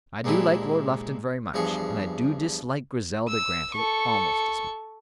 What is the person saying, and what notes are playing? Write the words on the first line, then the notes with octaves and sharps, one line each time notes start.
I do like Lord Lufton very much; and I do dislike Griselda Grantly almost as much.
A#2 G#3 C4 D4 E4 G4
E2 G2 F3 G#4 C#6
E6
A4 C#6